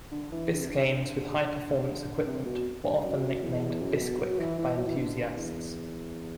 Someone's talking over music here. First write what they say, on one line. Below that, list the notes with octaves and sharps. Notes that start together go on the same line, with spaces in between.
Biscaynes with high-performance equipment were often nicknamed "Bisquick" by enthusiasts.
D3
E3
D3
C3
D3
C3
B2
G2
F#2
E2
F#2
B2
F#3
E3
E3
F#3
E3
D3
E2